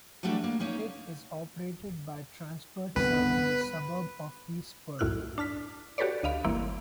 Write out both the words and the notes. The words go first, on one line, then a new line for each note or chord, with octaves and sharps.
It is operated by Transperth serving the suburb of East Perth.
E3 F#3 G3 A3 D4
A#3
A#3 C#4 D#4
C2 G2 D3 B3 B4
C2 F#2 A2 E4 F6 F#6
D4 A5 F6 B6
F#4 G4 A4 B4 C#5 D5
D2 D#5 F5 B5 D7
G1 E3 A#3 C4 E4 D7